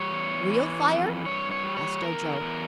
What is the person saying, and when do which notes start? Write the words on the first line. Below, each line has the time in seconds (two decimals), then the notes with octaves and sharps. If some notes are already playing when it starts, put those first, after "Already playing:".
"Real fire?" asked Ojo.
Already playing: G3 C#5
0.11 E2
0.50 E3
0.88 F2
1.26 G2 C#5
1.51 C#5
1.64 G3
1.77 C#5
2.02 E2 A#4
2.40 E2